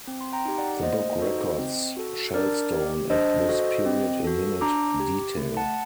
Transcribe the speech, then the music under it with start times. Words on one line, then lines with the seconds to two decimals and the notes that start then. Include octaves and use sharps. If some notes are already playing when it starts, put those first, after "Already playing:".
The book records Shalstone at this period in minute detail.
0.07 C4
0.21 C6
0.33 G5 A#5
0.45 D#4 G4
0.58 D5 F#5
0.82 A#3 C5 D#5
1.20 D#4 F#4 A4
1.58 C4
1.97 F#4 A4
2.34 D4 A#4 D5
2.72 G4
3.10 D4 C5 D#5
3.49 F#4 A4
3.86 C4
4.24 F#4 A4
4.61 D4 A#5 D6
5.00 G4
5.37 A3
5.57 F#5 A5